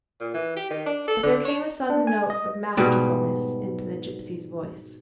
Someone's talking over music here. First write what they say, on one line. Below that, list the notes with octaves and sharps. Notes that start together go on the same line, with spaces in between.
But there came a sudden note of masterfulness into the gipsy's voice.
A#2
E3
G4
D#3
D4
A4
D3
C#5
D4
G#5
D#5
G#2 B2 G3